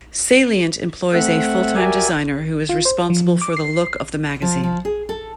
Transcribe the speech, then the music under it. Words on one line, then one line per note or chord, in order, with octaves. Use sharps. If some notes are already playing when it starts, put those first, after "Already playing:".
"Salient" employs a full-time designer who is responsible for the look of the magazine.
A3 C4 E5 F#5
F#4 G4 A#4 D5 E5 G#5
F4
C5
F3
D6
C7
F3
F3
G#4
A4